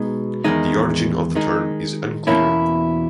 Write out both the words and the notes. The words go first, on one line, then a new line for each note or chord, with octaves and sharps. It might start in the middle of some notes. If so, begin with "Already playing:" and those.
The origin of the term is unclear.
Already playing: B2 G#3 D#4
E2 D#3 G#3 D#4
D#3 G#3 D#4
E2 B2 A#3 C#4 E4